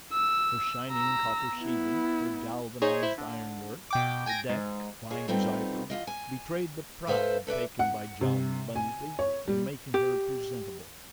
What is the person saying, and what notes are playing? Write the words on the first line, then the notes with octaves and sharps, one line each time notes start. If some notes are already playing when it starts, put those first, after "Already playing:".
Her shining copper sheathing, her galvanised iron-work, her deck, white as ivory, betrayed the pride taken by John Bunsby in making her presentable.
E6
A#5 E6
B3 E4
D#4 G#4 C5 C#5
E4 C5
D3
B2 G5 D6
G5 G#5 G#6 A#6 D7
G#2
F4 G#4 C#5 D#5
G3 B3 C4 D#4 F4 A4
E2 F4 D#5
G#5
A4 B4 C5 E5 F5
A4 B4 D5 E5
F#5
C3
G#5
C#5
G3
G4